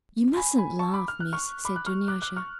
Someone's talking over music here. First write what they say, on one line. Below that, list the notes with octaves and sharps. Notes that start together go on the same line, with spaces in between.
"You mustn't laugh, Miss," said Dunyasha.
G#5 B5
G#5 B5
A5 C#6
B5 D6
F6
F#6
C#6 F6
B5 D6
F#6
C#6 F6
D6 F#6
D6 F#6
C#6 F6